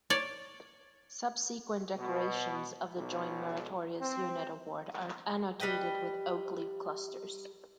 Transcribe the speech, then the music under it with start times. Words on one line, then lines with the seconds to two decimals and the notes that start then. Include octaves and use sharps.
Subsequent decorations of the Joint Meritorious Unit Award are annotated with oak leaf clusters.
0.10 C#5 D5
1.97 B2
2.96 B1
3.99 C4
5.60 G3 B4 D#5 G5